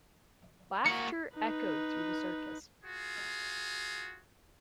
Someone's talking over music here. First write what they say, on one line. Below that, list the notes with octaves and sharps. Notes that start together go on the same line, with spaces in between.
Laughter echoed through the circus.
A#3 F#4 C#7
D#4 B4
F4 F#4 G#4